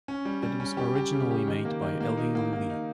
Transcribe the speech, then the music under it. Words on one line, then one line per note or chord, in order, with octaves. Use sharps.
It was originally made by Eli Lilly.
C#4
G3
G3
C#4
G4
G4
C#3
G4
D#3
A#3
D#3
A#3
D#4
A#3
A#3
D#4